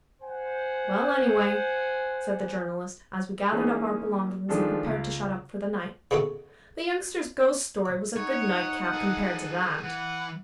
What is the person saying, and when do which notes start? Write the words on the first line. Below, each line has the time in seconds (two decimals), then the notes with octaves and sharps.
"Well, anyway," said the Journalist, as we gathered up our belongings and prepared to shut up for the night, "the Youngster's ghost story was a good night cap compared to that."
0.23 C5 F#5 G#5
3.52 E3 G#3 A#3 C#4 D#4
4.49 D#3 F3 G#3 D4 A4
4.87 C#2
6.11 C#3 B3 D#4 F#4 A4
8.16 D#4 C#5 F#5
8.94 G#4 A4
9.83 E3 F#5